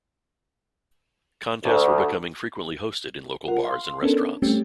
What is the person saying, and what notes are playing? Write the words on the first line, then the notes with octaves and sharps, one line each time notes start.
Contests were becoming frequently hosted in local bars and restaurants.
D2
F4 A#4 F#5
F5 C6
B3 C#4 D4 A4 A#4
G3 A3 C4 C#4 G4